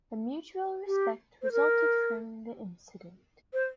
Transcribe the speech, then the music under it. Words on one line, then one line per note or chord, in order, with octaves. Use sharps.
A mutual respect resulted from the incident.
G4
C5
A#4
C5